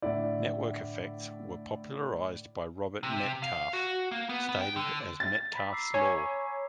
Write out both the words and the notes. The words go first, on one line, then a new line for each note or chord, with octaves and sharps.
Network effects were popularized by Robert Metcalfe, stated as Metcalfe's law.
A2 D3 E4 D5
C3
F5
F#4
A#3
B3
B3
G5
D3
A6
A#5 B5 B6
D6 E6 C7
C#5 G#5 A#5